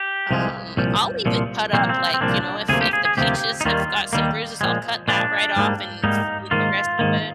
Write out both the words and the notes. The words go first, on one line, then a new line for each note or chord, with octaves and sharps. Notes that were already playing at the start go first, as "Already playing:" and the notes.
um I'll even cut up, like, y'know, if if the peaches have got some bruises, I'll cut that right off and f eat the rest of it.
Already playing: G4
C2 C3 F3 G#3
C2 A#2 F3
C2 A#2 F3
C2 A#2 F3 A#3 C4
C4
C4
C2 A#2 F3 A#3 D4
D2 C3 F3 A#3 G#4
G4
G#4
G#4
D2 C3 F3 A#3 G4
D#4
D#2 D#3 G3 A#3 F4
D#2 D#3 G3 A#3
A#2 F3 G#3
A#2 F3 G#3 D4
G#2 G3 A#3
G#2 G3 A#3 D#4
G#2 D#3 A#3 F4
G#2 D#3 A#3